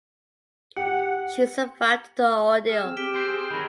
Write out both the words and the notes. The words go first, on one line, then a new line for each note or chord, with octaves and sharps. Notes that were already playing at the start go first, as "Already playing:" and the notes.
She survived the ordeal.
G4 F#5
G#4 F6 E7
C4
G4 B6 D7 G7
C4 C5
G#4
D#3 F#3 B5